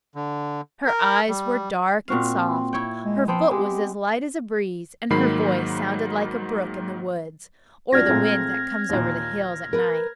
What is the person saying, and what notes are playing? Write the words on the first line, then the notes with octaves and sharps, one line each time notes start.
Her eyes were dark and soft, her foot was as light as a breeze, and her voice sounded like a brook in the woods, or the wind that comes over the hills at night.
D3
A#4
G3
A#2 C4 F#4 F5
E4 C#5 G5
G#3
F3 B3 C4
G#3 G4
G#2 D#3 F#3 A#3 B5 C7
F2 D4 F#4 F6 G#6 A#6
A#2 G#3 A3 C4
D#2 A#2
A#4 B4